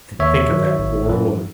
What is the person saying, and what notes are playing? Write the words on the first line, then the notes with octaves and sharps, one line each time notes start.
And think of that poor woman!
D#2 C#5 E5
D#3 F#3
G#1
F#2 E3